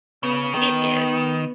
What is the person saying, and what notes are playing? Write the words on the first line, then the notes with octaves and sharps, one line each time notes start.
It is.
C#3 B3
D#3 B3